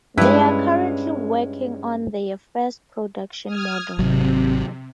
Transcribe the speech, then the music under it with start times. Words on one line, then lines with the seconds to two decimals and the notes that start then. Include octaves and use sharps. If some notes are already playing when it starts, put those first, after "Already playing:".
They are currently working on their first production model.
0.18 G2 G#3 C#4 E4 B4
3.45 D#6 F6 G#6
3.99 G#1 C3 F#3